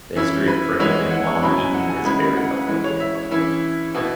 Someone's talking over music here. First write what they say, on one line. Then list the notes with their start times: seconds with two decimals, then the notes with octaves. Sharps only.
The history of cricket in Long Eaton is very complicated.
0.16 E3 C#4 E4 E5
0.48 B4
0.79 E3 G#3 B3 E4 C#5
0.95 C#5
1.11 F#5
1.27 C#6
1.42 B2 F#3 C#4 E4 B5
1.57 G#5
1.74 F#5
1.89 G#5
2.05 C#3 G#3 B3 E4 B5
2.21 B5
2.37 F#5
2.52 B4
2.68 E3 G#3 E4
2.84 C#5
3.00 E5
3.15 C#5
3.31 E3 C#4 E4 E5
3.95 B2 B3 E4